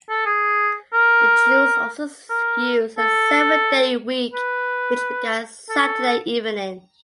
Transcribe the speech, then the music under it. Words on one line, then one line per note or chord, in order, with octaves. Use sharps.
The Jews also used a seven-day week, which began Saturday evening.
A4
G#4
A#4
A#4
A4
B4
A4